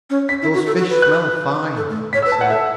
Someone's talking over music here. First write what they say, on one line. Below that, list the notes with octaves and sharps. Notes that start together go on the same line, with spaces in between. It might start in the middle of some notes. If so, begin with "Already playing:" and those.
"Those fish smell fine," he said.
C#4
C#4 B6
E4
F#4
A4
F#4
B4
F#6
A4
A3
C#5 B6
E6
B4
A5
B4
F#5
A4 E5